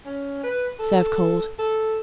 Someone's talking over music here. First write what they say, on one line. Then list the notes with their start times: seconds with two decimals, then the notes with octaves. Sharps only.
Serve cold.
0.06 C#4
0.44 B4
0.80 A4
1.59 A4